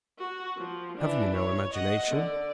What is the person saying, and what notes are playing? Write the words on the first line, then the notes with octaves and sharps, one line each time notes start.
Have you no imagination?
F#4
F3
E3 D4
C#5
D#5 F#5
D3 D5